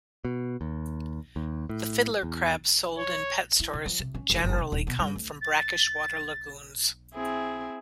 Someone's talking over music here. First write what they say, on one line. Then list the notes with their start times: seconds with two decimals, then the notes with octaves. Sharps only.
The fiddler crabs sold in pet stores generally come from brackish water lagoons.
0.25 B2
0.61 D#2
1.36 D#2
1.69 A2
2.23 E2
2.98 C#5
3.60 E4
3.73 C#3
3.86 F3
4.00 C3
4.15 C#4
4.30 F1
4.44 F#1
4.58 C3
4.72 D#1
4.87 B2
4.99 G2
5.16 D2
5.41 A6
7.14 C4 E4 G#4